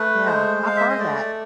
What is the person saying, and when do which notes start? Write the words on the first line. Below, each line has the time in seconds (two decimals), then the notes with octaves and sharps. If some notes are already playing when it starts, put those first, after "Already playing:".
Yeah, I've heard that,
Already playing: A3 B4
0.25 G#3 C5
0.63 G#3 F5
0.77 E5
0.89 D#5
0.99 A3 D5